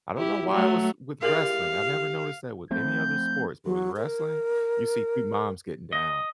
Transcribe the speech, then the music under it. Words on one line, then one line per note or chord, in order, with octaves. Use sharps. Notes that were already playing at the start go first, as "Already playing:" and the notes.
I don't know why it was with wrestling, I never noticed that with any other sports, but with wrestling, you see pe moms getting down.
E4 G4
F#3 A3
E4 G4 G#4 A#4 D5 F5
F3 A3 C4 G6
F#3
A#4
D#5